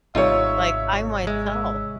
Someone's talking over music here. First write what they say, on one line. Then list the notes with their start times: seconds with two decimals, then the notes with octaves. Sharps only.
Like, I myself
0.15 G#1 C3 G3 D#4 F4 C#5 E5
1.27 G#3 E5